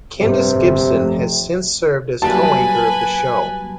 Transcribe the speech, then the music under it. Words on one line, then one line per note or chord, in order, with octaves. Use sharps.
Kendis Gibson has since served as co-anchor of the show.
G2 C3
G1
F1
F#3 G3 A#3 B4 G#5 A5